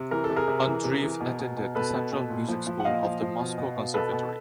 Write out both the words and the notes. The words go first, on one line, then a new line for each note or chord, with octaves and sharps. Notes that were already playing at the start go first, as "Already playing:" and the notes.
Andreev attended the Central Music School of the Moscow Conservatory.
Already playing: C3
E3 A#4
A4
C3
G#4 A#4
C3
E3
C3
E3
B2
B2
B2
B2 A4 B4
B2
B2
A#2
F3
F3
F#5
A#2 D#5 F5
F3
F3
B2
B2
B2
B2 A4 B4
B2